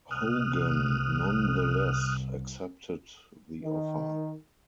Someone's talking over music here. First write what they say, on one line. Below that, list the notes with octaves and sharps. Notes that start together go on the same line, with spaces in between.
Hogan nonetheless accepted the offer.
C2 D#6 F6 F#6
D#3